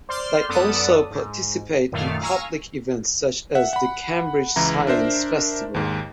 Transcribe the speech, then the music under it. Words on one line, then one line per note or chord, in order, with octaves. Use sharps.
They also participate in public events such as the Cambridge Science Festival.
C5 D5 C6 F6
F#2 B3 A4 D5 D#6
G#2
F#2 A#2 D#3 A3 F5
F5 G#5 A#5 C#6 E6 F6
E5 F#5
F#5 B5
C#2 E3 E4 A#5
D4 A#4 C5 E5
D#2 G#2